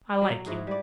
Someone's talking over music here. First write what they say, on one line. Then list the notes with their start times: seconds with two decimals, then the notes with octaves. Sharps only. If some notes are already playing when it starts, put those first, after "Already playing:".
I like you.
0.21 F#3
0.46 G#2 E4 F#4 G#4
0.67 G3 D5